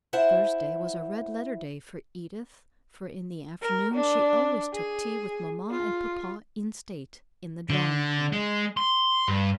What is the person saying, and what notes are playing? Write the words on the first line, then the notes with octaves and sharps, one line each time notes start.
Thursday was a red-letter day for Edith, for in the afternoon she always took tea with mamma and papa in state, in the drawing-room.
E4 C5 E5 F#5 A5
A#4
D4
G#4
F4
D3
G#3
C6
G2